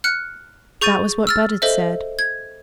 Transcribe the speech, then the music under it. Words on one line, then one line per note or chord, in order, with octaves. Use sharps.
That was what Budd said.
F6 F#6 C#7
G#4 C#6 G6 A6 D#7
E6 F6 A6
A4 C5 D#5 E5
G#6